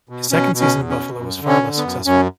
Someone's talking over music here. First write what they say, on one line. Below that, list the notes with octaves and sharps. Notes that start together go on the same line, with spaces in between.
His second season in Buffalo was far less successful.
B2
B2 C#4
B2
C#4
E2
C#4
B2
F#2
D3
C#4
D3
B3
F#2
F#2 C#4